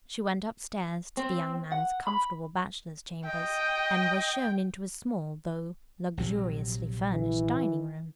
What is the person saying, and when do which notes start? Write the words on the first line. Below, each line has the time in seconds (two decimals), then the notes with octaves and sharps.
She went upstairs to the young man's comfortable bachelor's chambers, and was shown into a small, though luxuriously furnished, dining-room.
1.17 C4
1.72 F#5
2.07 B5
3.25 D#5 G5
6.17 A#1 C3 F#3
7.13 E3